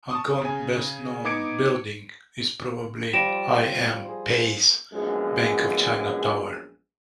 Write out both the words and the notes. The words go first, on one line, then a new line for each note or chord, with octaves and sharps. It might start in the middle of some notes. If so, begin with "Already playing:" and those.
Hong Kong's best-known building is probably I. M. Pei's Bank of China Tower.
A5 C#6 D#6
C#3 G#5
B3 D#4 D6 G#6 C#7 D7
F3 G3 F4 A#6 D7 E7
G#4 C5
A#1 F#2 F3 G#3 B3 G#4